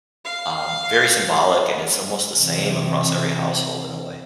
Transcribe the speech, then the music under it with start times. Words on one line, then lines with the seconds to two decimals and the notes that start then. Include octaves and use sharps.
um, very symbolic, and it's almost the same across every household in a way.
0.25 F5
2.37 C3 E3